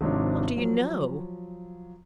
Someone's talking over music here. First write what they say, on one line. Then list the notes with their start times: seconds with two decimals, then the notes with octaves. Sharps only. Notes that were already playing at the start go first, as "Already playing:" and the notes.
What do you know?'
0.01 G#1 G#2 C3 F3 D4 C#5
0.56 F3 F#3